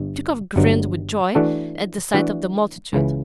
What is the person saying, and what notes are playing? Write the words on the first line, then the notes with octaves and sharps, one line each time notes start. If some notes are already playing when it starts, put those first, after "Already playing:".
Chichikov grinned with joy at the sight of the multitude.
Already playing: G1 G2
G1 G2 F#3
E3 A3 D4 F#4 A4
E3 A3 D4 F#4 A4
C#2 C#3 E3